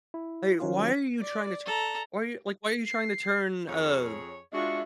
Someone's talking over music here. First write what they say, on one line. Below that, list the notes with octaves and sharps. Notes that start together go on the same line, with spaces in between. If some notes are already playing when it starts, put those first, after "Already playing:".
Like, why are you trying to tu why are y like, why are you trying to turn a
E4
D#3 F#3 C#4 D#4 F4
D5
A4 A#5
C7
F2 G#4 C#5
G#3 D4 F4 F#4 E5 C#6